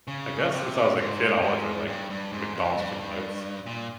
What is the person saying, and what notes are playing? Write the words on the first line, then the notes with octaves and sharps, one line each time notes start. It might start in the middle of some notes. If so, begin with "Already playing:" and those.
I guess since I was a kid, I always really liked McDonald's chicken nuggets
C#3
C3
G#2
G#2
G2
G2
G#2
F2
G2
A#2